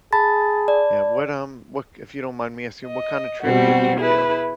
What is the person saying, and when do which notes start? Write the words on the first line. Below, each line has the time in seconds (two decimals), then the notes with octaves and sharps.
Yeah, what, um what k if you don't mind me asking, what kinda trivia do you do?
0.13 G#4 A5 B5 A6
0.68 D5
2.87 D#5
3.44 B2 G3 C4 F#4
3.99 E4 G#4 B4